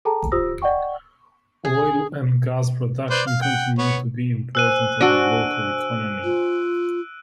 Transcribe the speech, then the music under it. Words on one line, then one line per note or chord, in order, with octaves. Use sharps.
Oil and gas production continue to be important to the local economy.
G#4 A4 G5 A5 A#5
F4 G4 C5 D#6 E6 A#6
D5 D#5 F#5 G5 C#6
G#4
B4 C5 D5
F5
F#5 G5
B3 C#5
C5 G#5 E6 F#6 D#7
D4 F#4 E6 D7 D#7
F4